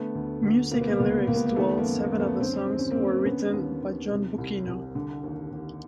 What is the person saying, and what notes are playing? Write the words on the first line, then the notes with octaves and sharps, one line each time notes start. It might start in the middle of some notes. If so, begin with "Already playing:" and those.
Music and lyrics to all seven of the songs were written by John Bucchino.
Already playing: D3 A3 B3
D2
D2
B2 A#3
B3
A#3
C#2 B3
A#3
B3
C#2 A#3
B3
A#3
D#3 A3 B3
A#3
F#2
A#3
F#2
A3 B3
D3 C4
C#4
D#2 C4
C#4
A#3 C4
D#2
D3 B3 C#4
D#2
D#2
C3
C2
C2
D3
D#2
D#2